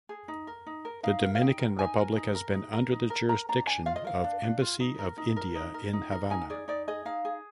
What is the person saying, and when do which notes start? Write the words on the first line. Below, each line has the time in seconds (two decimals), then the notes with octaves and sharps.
The Dominican Republic has been under the jurisdiction of Embassy of India in Havana.
0.09 G#4
0.28 D#4
0.47 A#4
0.66 D#4
0.85 A#4
1.03 D#4 F5
1.22 A#4
1.35 F5
1.41 D#4 G5
1.59 A#4
1.79 D#4 G#5
1.98 A#4
2.17 D#4
2.35 A#4
2.54 D#4
2.73 A#4
2.92 D#4
3.10 A#4
3.29 A#4 A#5
3.49 D4 A#5
3.67 D4 G#5
3.86 F4 F5
3.96 D#5
4.04 A#4 F5
4.24 D4
4.43 D4
4.62 F4
4.80 D#4
4.99 A#4
5.17 D#4
5.36 A#4
5.55 D#4
5.74 A#4
5.93 D#4
6.12 A#4
6.30 D#4 G#5
6.50 G#4 D5
6.68 D#4 D5
6.88 G#4 D#5
7.05 D#4 F5
7.25 G#4